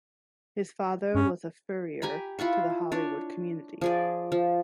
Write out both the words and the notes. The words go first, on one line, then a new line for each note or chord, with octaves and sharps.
His father was a furrier to the Hollywood community.
G2 C#4
G4 G#5 A#5 B5
E4 F4 F#5 C#6
D4 C#5
F3 G#4 D5
F3